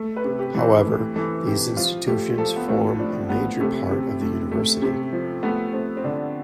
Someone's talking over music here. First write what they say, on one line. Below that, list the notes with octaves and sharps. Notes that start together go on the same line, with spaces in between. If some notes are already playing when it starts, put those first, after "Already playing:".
However, these institutions form a major part of the University.
Already playing: A3
B4
C3
G4
E3
C5
A3
E3 A4
C3 G4
F3 F4
A3 G4
F3 A4
B3
A2 C4
F3 D4
A2 B3
C3 A3
C3
A3
A3
C3
F3
A3 B3
A3 C4
C4
D3 D4